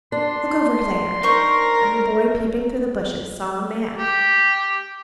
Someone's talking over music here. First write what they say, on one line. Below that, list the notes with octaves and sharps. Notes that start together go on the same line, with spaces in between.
Look over there!' And the boy, peeping through the bushes, saw a man.
D4 C6
D#4 A#4 C5 C#6
G4